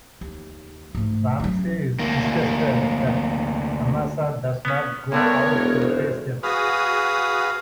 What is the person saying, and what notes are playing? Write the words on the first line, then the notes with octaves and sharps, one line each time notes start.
Ramsay is disgusted that Amasa does not go out to face them.
D#2
G#2 A3
F#3 C#4
D2 A#3
B3 C#4
G2 D3 A3 B3 A#4 C#5 G#6
E1
G#1 C5
F#4 G#4 B4 F5 D#6